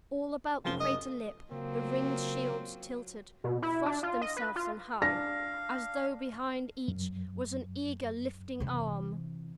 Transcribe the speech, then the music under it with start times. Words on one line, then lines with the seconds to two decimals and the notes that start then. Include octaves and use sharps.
All about the crater-lip the ringed shields tilted; thrust themselves on high, as though behind each was an eager lifting arm.
0.65 F1 F#2 F3 G7
0.80 D#5
1.51 C#3 F#3 A#3 C4 C#4 F4
3.44 B2
3.62 E4
3.86 D4
4.03 F4
4.22 D#5
4.37 B4
4.56 F4
5.02 D4 F5 A#6
6.88 F#2
8.60 C3 E3